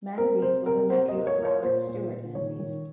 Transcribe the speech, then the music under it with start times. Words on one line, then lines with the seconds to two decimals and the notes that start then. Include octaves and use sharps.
Menzies was a nephew of Robert Stewart Menzies.
0.18 C4 A#4
0.42 C3 C5
0.66 C3 A#4
0.90 A#3 C5
1.08 D#5
1.14 A#3
1.27 C#5
1.39 A#3
1.45 C#5
1.63 A#2 C5
1.87 A#2
2.11 A#2
2.35 D#3 C#5
2.59 D#3